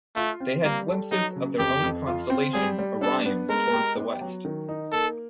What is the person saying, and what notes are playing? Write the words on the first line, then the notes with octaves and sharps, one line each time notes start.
They had glimpses of their own constellation, Orion, towards the west.
A3 F4
C4
G3 A#3
A4
F#3 D#4
C#3
F2 G4
F2
F4
C4
G3 G#4
G3
D4 A4
B3
G#3 A#4
G4
B3
F#3
D#3
D#4
A#3 A4